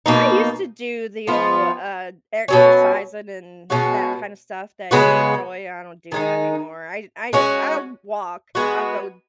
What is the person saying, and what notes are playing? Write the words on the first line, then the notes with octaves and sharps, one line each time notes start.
I used to do the old, uh, exercising and that kinda stuff that you enjoy, I don't do that anymore. I I I'll walk, I go
B2 A#3 D#4
F3 B3 F4
B2 F#3 C#4
B2 G#3 C#4 F#4
C#3 G#3 B3 F#4
D#3 G#3 D#4
G#3 C#4 F#4
G#3 B3 F#4